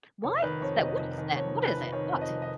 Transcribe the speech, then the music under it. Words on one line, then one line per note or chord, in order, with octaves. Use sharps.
Why is that? What is that? What is it? What?
F1 C#5
D#3 B4
F2 C#5
F1 D#5
F1
D#3
F2 C#5
F1
B4
F1
D#3 C#5
F2
D#5
F1
D#5